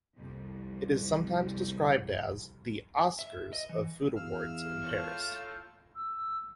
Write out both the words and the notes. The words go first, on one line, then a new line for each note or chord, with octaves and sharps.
It is sometimes described as the "Oscars of food awards in Paris".
C2 F2
E5
D#5
E3
E2 F5 E6 F6
F4 A4 C#5 G6
E6